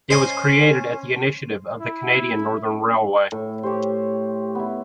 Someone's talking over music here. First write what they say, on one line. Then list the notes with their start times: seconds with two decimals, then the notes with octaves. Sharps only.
It was created at the initiative of the Canadian Northern Railway.
0.10 C#4 C5 D#5 G#5
1.81 E4
3.32 A2
3.63 G4 C5 C#5
4.55 B3 E4